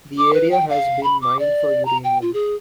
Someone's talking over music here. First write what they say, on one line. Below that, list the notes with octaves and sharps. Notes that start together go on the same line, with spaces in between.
The area has been mined for uranium.
D6
B4
G5
F5
B5
D6
D5
A#5
G5
F4
G#4